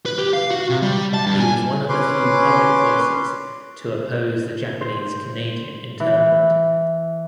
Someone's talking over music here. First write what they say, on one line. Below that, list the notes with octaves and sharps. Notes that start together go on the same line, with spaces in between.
He was one of the few public voices to oppose the Japanese Canadian internment.
B4
G4
F5
F#4
C3
G3
A5
G2
G#5
C#4 B4 C6 D6
C5
E3